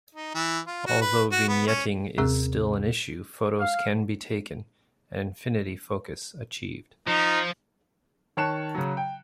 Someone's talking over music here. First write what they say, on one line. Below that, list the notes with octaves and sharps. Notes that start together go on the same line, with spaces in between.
Although vignetting is still an issue, photos can be taken, and infinity focus achieved.
D#4
E3
F4
F#4
B4
F#4
B3
C#4
D#2 C3 C4 G#4 E6
F5
F3 D#4
D#3 C#5 A5 F#6 C#7 E7
C#3 F#3
G5